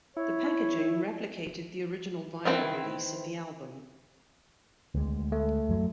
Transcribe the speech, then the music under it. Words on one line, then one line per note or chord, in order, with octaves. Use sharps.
The packaging replicated the original vinyl release of the album.
E4 C#5
D#3 E3 C4 E4
D2 G#3
A3
F#2 F#3